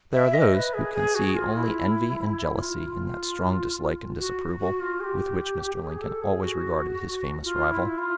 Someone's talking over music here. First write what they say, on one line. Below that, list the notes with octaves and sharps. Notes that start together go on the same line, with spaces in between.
There are those who can see only envy and jealousy in that strong dislike and disapproval with which Mr. Lincoln always regarded his famous rival.
E5
D#5
B4
G#4
G#4
F#4
F4
E4
F4
F#4
F#4
F4
G#4
G4
G#4
A4
G#4
F#4
F4
E4
F4